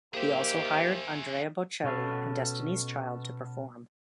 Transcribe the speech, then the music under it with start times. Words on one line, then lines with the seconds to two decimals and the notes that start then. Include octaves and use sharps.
He also hired Andrea Bocelli and Destiny's Child to perform.
0.14 A#3 D#4 G4 G#4 C5 E5
1.84 B2 B3 C#4 A4 F5